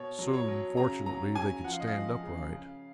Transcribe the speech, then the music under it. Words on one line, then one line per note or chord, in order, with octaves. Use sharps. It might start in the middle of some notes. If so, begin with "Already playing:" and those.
Soon, fortunately, they could stand upright.
Already playing: B2 C#5
F#3
C#5
F#3
C#3 A#5
F#3 A#5
C#3 G#5
F3 F#5
F5
D#5
F5
F3
C#3
C#3